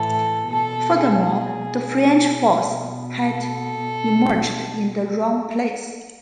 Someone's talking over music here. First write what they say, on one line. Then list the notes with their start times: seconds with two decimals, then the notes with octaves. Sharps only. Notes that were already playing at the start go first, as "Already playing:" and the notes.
Furthermore, the French force had emerged in the wrong place.
Already playing: A2 E3 A4
0.49 B2 A4
1.04 G#4
1.59 B2
2.70 B2
3.25 A4
3.81 B2